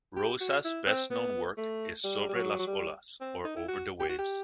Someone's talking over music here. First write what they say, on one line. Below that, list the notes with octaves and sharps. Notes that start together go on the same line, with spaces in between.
Rosas's best known work is "Sobre las Olas" or "Over the Waves".
G4
F#4
E4
C4
B3
A3
G3
G3
F#3
F#3
G3
C4
D#4
E4
F#4
G4
F#4
G4